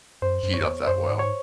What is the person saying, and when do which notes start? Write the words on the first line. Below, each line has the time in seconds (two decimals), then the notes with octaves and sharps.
heat up that well.
0.22 F#2 C5
0.43 F#2
0.54 C#5
0.60 F#2
0.65 E2
0.87 F#2 C5
1.08 G#2
1.19 C#5